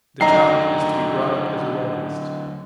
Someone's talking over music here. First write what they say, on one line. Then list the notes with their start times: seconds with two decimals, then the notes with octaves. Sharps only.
The child is to be brought up as a Romanist.
0.21 F#2 D3 D#3 F#3 D#5 G5 A#5 C7